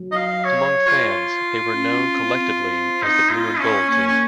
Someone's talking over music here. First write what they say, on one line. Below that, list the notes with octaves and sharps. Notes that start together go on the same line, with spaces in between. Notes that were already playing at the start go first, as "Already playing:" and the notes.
Among fans, they were known collectively as the "Blue and Gold" team.
Already playing: F#3
D#5
F5
C#5
F4
C#4
C4
D#4
F4
C#4
A#3 C#4
C#4